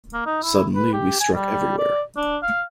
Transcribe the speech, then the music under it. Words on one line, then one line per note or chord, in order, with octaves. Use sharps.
Suddenly we struck everywhere.
A#3
D#4
E4
B4
G4
G#5
G3
D5
D4
F5